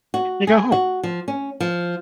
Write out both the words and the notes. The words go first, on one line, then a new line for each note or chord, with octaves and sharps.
you go home.
F#4
G#4
F#4
F3
C#4
F3